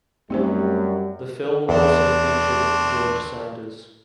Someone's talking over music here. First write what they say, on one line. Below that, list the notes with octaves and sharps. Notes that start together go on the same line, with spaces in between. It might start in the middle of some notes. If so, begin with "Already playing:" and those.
The film also featured George Sanders.
F#2 G3 A3 C4 D#4 G4 C5
E2 A3 C4 D4